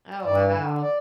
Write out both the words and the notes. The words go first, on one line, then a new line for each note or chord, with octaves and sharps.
Oh, wow.
G2 D5
D3
D5